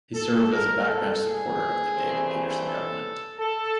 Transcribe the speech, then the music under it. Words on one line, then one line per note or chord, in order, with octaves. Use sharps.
He served as a backbench supporter of the David Peterson government.
A4
A#4
A4
G#4
G2 E3 A3 C4
A4
A4